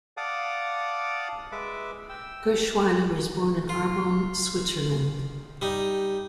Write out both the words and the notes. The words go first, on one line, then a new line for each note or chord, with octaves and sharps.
Gerschwiler was born in Arbon, Switzerland.
D5 F5 F#5 A5 D6 D#6
G#3 B4 E5 D6
G5 E6
F4
G3 D#4